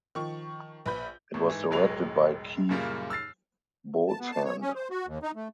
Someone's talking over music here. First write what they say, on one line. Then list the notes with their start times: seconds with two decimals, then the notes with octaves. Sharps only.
It was directed by Keith Beauchamp.
0.15 D#3 F3 C#6
0.86 A#1 B4 B5 G6
1.34 G#1 A2
1.50 G#2 E3
1.71 E1 A1 F#3 G#3 F7
2.69 F#2 A#2 C#3 G3 A#3 F4
3.10 E6 F6 A6 C7
4.08 A5
4.20 B3
4.32 A5
4.45 C#5
4.62 C#4
4.75 C5
4.91 F#4
5.07 D#2
5.23 D#4
5.36 A3